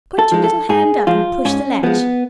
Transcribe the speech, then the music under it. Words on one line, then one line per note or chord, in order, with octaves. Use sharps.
Put your little hand up and push the latch.
A4
F3 G#3
A4
G#2 G#4
F3 G#3 F4
G#2 C#4
F3 G#3 B3